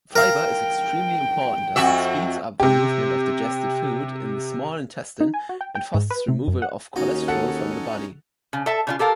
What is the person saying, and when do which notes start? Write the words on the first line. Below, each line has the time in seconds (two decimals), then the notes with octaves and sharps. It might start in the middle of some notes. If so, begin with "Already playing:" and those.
Fiber is extremely important, as it speeds up the movement of digested food in the small intestine and fosters removal of cholesterol from the body.
0.16 A#4 F5 G5
1.76 F2 F#4 E5
2.60 C3 G4
5.20 D#4
5.34 G#5
5.49 F#4
5.61 G5
5.75 G5
5.94 G#2
6.10 B4
6.28 C3
6.48 F#2
6.62 F#5
6.96 D#2 C#4 D#4 F#4
7.28 A4 F#5
8.53 C#3
8.66 A4 E5 A5
8.87 C#3 D4 F4
8.99 G4 A4 A#4 F5